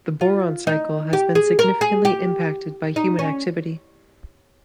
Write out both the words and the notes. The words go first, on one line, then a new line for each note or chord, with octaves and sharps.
The boron cycle has been significantly impacted by human activity.
F4
D#4
G4
G#4
A#4
G#4
G4
D#4
C#4